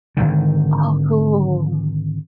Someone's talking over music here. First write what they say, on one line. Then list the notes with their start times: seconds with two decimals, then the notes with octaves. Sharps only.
Oh, cool.
0.17 G#1 C#2 D3 D#3